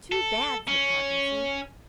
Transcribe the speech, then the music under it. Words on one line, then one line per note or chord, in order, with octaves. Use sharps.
"Too bad!" said Parkinson.
A4
C#4